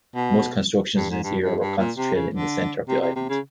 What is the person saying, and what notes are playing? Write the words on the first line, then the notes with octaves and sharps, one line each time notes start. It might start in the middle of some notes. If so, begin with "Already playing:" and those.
Most constructions in this era were concentrated in the centre of the island.
B2
G2
G#2
G2
G2
G2
A#2
C3
C#3
D3
C3
C3
C3
C#3